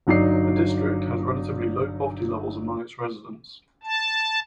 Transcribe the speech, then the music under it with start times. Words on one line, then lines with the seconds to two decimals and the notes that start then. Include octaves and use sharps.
The district has relatively low poverty levels among its residents.
0.07 G1 F#3 D#4 D5 C7
3.83 A5